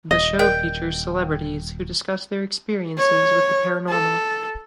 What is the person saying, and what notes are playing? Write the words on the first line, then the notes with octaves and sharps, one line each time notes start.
The show features celebrities who discuss their experiences with the paranormal.
D#1 D#5
A#4 D5 G5
C#5
A4